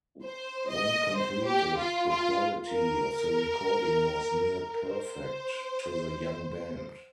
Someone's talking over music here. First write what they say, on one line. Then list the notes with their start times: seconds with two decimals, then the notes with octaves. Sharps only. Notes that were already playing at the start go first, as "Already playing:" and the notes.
When completed, the quality of the recording was "near perfect" to the young band.
0.23 C5
0.70 D#5
1.16 C5
1.47 G4
1.79 F4
2.09 F4
2.71 A#4
4.87 C5